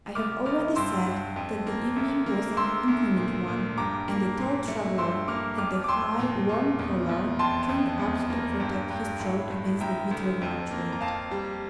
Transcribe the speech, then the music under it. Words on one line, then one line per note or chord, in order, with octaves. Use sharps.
I have already said that the evening was an inclement one, and the tall traveller had the high, warm collar turned up to protect his throat against the bitter March wind.
C2 D6 F6
C2 D6 F6
G2 C6 E6
G2
F2
A#3
D2
A#3
D2 C6 E6
D2
A#2
A#2
G2 A#5 D6
A#3
A#2
A3
G2 C6 E6
A#3 D6 F6
F2 D6 F6
D6
F2 C6 E6
A#2
A#2
E2
E2
F2 A5 C6
F2
E2
A#3
G2
G2
A2
A2
D2 G5 A#5
D2
F2
A#3
A#5
F2 F5 A5
G3